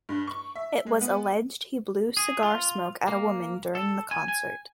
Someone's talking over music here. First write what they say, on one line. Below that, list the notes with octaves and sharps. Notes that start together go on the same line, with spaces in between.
It was alleged he blew cigar smoke at a woman during the concert.
G2
C#6
E5
G#3
B3
G#4
F4
A#3
A4
G#5
G#5